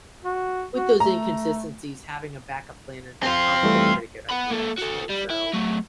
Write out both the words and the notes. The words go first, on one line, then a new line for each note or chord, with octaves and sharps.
with those inconsistencies, having a backup plan is a probably a pretty good idea, actually, so,
F#4
F#4
A3 A#5
C4 F4
E3 G3 A3
F#5 B5
A#3 A4
F#4 A4
G3
E4
F#3 A3